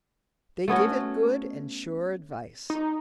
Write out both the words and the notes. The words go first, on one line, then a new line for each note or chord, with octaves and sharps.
They give it good and sure advice.
A3 B3 C#4 F#4
D#4